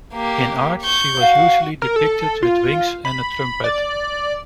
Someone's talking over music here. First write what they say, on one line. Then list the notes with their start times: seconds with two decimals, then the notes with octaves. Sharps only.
In art, she was usually depicted with wings and a trumpet.
0.14 A#3 G4
0.82 C#6 G6
1.21 F#4 F5
1.82 A#4
1.96 A4
2.43 F4
3.05 B5
3.64 D5